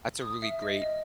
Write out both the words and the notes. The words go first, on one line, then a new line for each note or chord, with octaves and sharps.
That's a really great,
D#6
E5
D#5
D#5